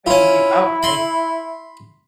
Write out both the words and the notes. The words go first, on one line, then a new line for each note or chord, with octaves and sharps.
Oh, you do? Okay.
C#4 E4 F4
B5 C6